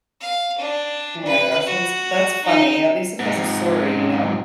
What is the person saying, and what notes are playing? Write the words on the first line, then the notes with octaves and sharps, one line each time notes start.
Oh my gosh, that's that's funny, at least it has a story, you know.
F5
D4
B4
F#4
D#4
G#2 C3